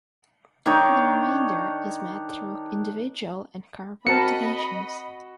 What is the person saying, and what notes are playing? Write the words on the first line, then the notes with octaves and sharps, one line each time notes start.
The remainder is met through individual and corporate donations.
D#3 D4 D#4 C#5
C4 F#4 A#4 D#5 A5 B5 C#7